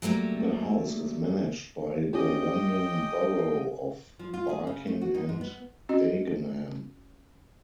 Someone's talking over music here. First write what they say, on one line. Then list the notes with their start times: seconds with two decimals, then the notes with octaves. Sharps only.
The house is managed by the London Borough of Barking and Dagenham.
0.02 F#3 G3 A3 A#3 G4
2.13 C#4 F4 G4 D#5 G5
4.19 F3
4.34 F4
4.49 G#4
4.67 C#3
4.87 A3
5.01 F#4
5.15 D#4
5.29 G#2
5.41 B3
5.89 C4 C#4 F#4 D#5